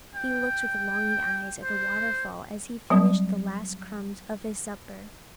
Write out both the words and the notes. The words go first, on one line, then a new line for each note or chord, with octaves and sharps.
He looked with longing eyes at the waterfall as he finished the last crumbs of his supper.
G5
C5
F#3 G3 C4